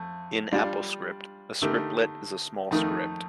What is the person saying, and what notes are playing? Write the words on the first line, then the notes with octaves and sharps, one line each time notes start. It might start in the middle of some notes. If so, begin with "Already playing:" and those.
In AppleScript, a scriptlet is a small script.
Already playing: F2 A3
G3 D4 F4
D3 A3 D#4 G4 A#4
F2 D#3 A3 D#4 A#4